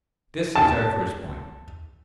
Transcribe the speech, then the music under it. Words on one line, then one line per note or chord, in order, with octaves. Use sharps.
This is our first point.
A5